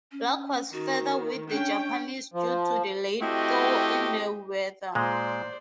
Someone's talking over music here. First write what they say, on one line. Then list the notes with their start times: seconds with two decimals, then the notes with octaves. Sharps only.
Luck was further with the Japanese due to the late thaw in the weather.
0.12 C#4
0.72 D#3 F#4
1.50 C#4 D4 G5
2.34 F3
3.21 A3 C4 E4 F#4 G4 D#5
4.95 A#2 G#3 C5 D5